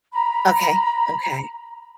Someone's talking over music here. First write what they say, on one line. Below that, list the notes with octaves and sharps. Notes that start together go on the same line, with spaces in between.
Okay, okay.
A#5 B5